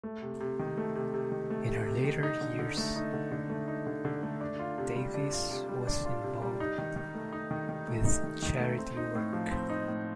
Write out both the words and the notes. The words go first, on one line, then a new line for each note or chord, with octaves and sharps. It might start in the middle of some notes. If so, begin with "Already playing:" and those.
In her later years, Davies was involved with charity work.
A3
C3
C3
D#3
A3
C3
C3
D#3
A3
C3
C3
D#3
D#4
D3
D3
A3
D#4
D3
D3
A3
D#4
D3
D3
A3
D4
F4
C3
G3
D4
F4
C3
G3
D4
F4
C3
G3
D#4
D#3
D#3
A3
D#4
D#3
D#3
A3
D#4
D#3
D#3
A3
C4
D#4
A2
F3
C4
D#4
A2